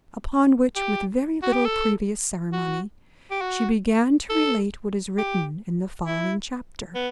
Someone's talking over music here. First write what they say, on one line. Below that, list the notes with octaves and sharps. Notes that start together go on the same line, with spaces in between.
Upon which, with very little previous ceremony, she began to relate what is written in the following chapter.
G4
F#4
G4
A4
F#4
G4
F#4
A4
G4
E4
B3